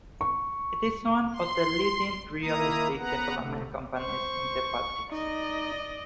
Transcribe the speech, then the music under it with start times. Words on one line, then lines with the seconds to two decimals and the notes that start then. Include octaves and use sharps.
It is one of the leading real estate development companies in the Baltics.
0.21 C#6
1.31 C6
2.42 D#3 A#3 E4 A#5 D#6
2.98 B3 B4 F#5 A#5
3.37 C3 A3
3.99 C5 C#6
5.12 D#4 D5 D#5